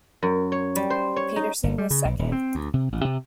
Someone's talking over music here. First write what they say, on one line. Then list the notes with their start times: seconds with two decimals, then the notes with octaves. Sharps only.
Peterson was second.
0.22 F#2
0.52 C#5
0.76 G3
0.90 C5
1.16 C#5
1.36 D#4
1.63 G1
1.78 G3
1.91 C#3
2.05 B1
2.19 D#1
2.32 C4
2.55 D2
2.74 C3
2.92 A1
3.05 C3